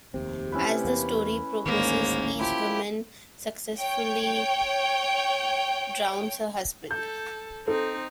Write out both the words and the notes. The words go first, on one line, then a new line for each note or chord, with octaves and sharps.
As the story progresses, each woman successively drowns her husband.
F1 D#2 C3 C4
C#4 E4 B4
E2 A#3 B3
A1 D2 G#2 D#3 A#3 C#4 A#4
F3 E4 G4
C#5 G5
A4 G6
C4 D#4 A4